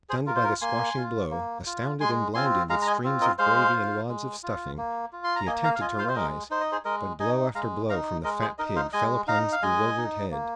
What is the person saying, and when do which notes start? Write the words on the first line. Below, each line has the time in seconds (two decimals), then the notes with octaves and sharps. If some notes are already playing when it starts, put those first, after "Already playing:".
Stunned by the squashing blow, astounded and blinded with streams of gravy and wads of stuffing, he attempted to rise, but blow after blow from the fat pig fell upon his bewildered head.
0.09 G#4 C5
0.26 F4 A#4
0.36 C5
0.44 A#4
0.61 A#3 G#5 C6
0.97 F4
1.31 A#3
1.66 F4
2.00 G#3 G#5 C6
2.34 C4 F4 G#5 C6
2.69 G#3 F5 A#5
2.82 A#5
2.87 D#5 G#5
3.04 C4 F4
3.21 A#4 D#5
3.38 G#3 C5 F5
3.73 F4
4.08 G#3
4.43 F4
4.78 A#3
5.13 F4
5.24 C6
5.36 A#5
5.47 A#3 D#5 G#5
5.64 F5 A#5
5.75 F5
5.81 F4 D#5 G#5
5.98 C5 F5
6.09 C5
6.15 G#3 A#4 D#5
6.50 D#4 C5
6.61 D#5
6.72 G#4 C5
6.85 G#3 A#4 D#5
7.20 D#4 D#5 G#5
7.55 G#3 F5 A#5
7.89 D#4 F5 A#5
8.24 G#3 A#4 D#5
8.41 G#4 C5
8.58 D#4 A#4 D#5
8.76 C5 F5
8.93 G#3 D#5 G#5
9.27 D#4 F5 A#5
9.52 F5
9.62 G#3 D#5 G#5
9.98 D#4
10.31 A#3